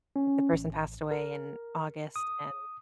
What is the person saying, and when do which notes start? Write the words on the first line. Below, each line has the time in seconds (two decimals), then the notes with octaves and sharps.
if the person passed away in August and,
0.16 C#4
0.53 A1
1.11 A#4
2.16 D#6